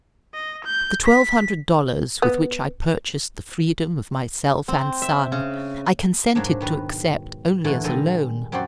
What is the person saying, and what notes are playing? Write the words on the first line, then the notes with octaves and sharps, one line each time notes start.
The twelve hundred dollars with which I purchased the freedom of myself and son I consented to accept only as a loan.
D#5
G6
B6
B3
C4
E5
C#3
G#2 F#3 A#3 D4
B2 D#3 B4
A#2 D3 E3 A3
A#2 D#3 G3 G#3 A4 D#5
F#2 C4 F#4 G4 D5 C6